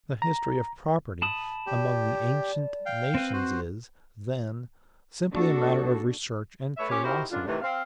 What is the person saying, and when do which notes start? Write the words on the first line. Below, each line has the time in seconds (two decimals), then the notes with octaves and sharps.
The history of property among the ancient nations is, then, simply a matter of research and curiosity.
0.22 A#5
1.22 A5 B5 D#6
1.66 G4 D5
2.86 F5 G5
3.15 C4 B4
3.33 F#4 C5
5.30 A#3 D4 F#4 A4
6.78 A3 B4 C#5 E5
6.89 C#4 G4 C5 C#5
7.04 D#4 E4 F#4 G4 A#4 C5
7.30 F#2 B2 D3 D4 F4
7.46 A2 C3 D#3 E3 A3
7.62 C4 F5